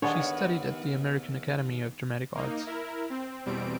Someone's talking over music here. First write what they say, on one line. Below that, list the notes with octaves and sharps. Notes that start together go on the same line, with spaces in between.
She studied at the American Academy of Dramatic Arts.
D#2 B3 D4 G#4 C#5 A5
A#3 D#4
E4 A#4
C4
E2 B2 G3 C4 D7